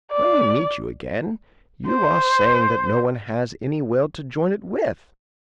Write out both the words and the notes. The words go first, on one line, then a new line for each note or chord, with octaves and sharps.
When we meet you again you are saying that no one has any will to join it with.
D5
C5